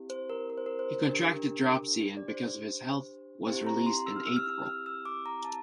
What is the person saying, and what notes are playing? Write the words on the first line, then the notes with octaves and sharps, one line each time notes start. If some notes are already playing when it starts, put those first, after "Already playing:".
He contracted dropsy and, because of his health, was released in April.
Already playing: C4 E4 G4
C5
A#4
A#4
C5
A#4
C5
D4 G4 A#4
D5
C5
C4 E4 G4 C5
A#5
C6
E6
F6
E6
F6
E6
F6
E6
D6
A#5
A5